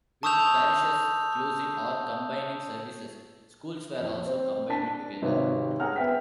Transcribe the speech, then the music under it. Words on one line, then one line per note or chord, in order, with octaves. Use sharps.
With parishes closing or combining services, schools were also combined together.
A5 C#6 D#6 E6 G6 F7
F2
C4
D4 A5 B6
G#1 C3 G3 D#4 B4 C#5
G#4 F#5 A#5 F6
B3 B4 E5 G5 B6